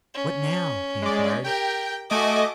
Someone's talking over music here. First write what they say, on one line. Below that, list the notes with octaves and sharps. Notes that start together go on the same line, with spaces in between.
"What now?" he inquired.
C#4
G#3 D5
G4 A#4 G5
A3 F#4 D#5 G#5 D6